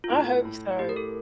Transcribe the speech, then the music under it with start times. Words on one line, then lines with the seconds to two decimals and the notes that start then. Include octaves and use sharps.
I hope so.
0.04 F4
0.10 A2 E4
0.45 A2
0.79 A2 G4
0.89 A#4
0.96 A4